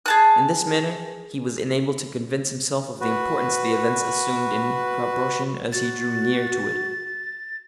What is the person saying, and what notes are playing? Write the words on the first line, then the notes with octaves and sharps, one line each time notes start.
In this manner, he was enabled to convince himself of the importance the event assumed in proportion as he drew near to it.
G#4 A5 F#6
F#4 B4
F#4 A6